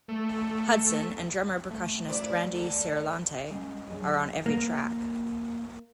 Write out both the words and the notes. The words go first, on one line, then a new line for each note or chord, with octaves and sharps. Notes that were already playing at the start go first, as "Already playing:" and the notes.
Hudson and drummer-percussionist Randy Ciarlante are on every track.
A3
A3
A#3 D4 E4 C5 D5
D3 A#3 A4
G#3 C#4 A#4 F5
F#3 D4 G#4 C#5 D#5
A#3